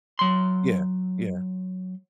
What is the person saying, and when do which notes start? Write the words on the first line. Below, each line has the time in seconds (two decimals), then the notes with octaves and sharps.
Yeah. Yeah.
0.19 F#3 C6